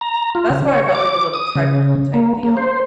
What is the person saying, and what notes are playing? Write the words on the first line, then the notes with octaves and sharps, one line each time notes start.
that's why I got, like, a little treadmill type deal.
A#5
F4
C#3
C#5
D6
D#6
C#3
A#3
A#3
C5